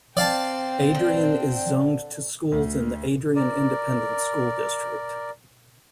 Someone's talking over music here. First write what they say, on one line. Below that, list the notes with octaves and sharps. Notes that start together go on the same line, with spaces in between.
Adrian is zoned to schools in the Adrian Independent School District.
C4 D5 F5 G5 A5
D3
D2
A#4 D5